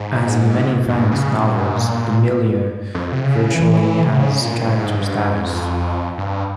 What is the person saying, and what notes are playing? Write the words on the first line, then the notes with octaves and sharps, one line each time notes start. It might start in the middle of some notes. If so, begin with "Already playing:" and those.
As in many Vance novels, the milieu virtually has character status.
Already playing: G#2
G2
C#3
A#2
G#2
A#2
F2
C3
C#3
E3
E3
C3
C#3
A#2
G2
G#2
G2
F2
G2